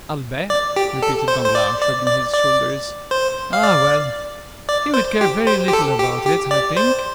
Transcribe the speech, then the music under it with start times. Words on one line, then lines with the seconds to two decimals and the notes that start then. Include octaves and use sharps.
"Albert," repeated Danglars, shrugging his shoulders; "ah, well; he would care very little about it, I think."
0.50 D5
0.76 G4
1.02 A4
1.28 C5
1.45 C5
1.55 D5
1.81 D5
2.07 D5
2.33 D5
3.11 C5
3.53 F5
3.63 D5
4.69 D5
4.94 C5
5.21 G4
5.47 C5
5.68 G4
5.73 A4
5.99 G4
6.26 G4
6.51 D5
6.77 C5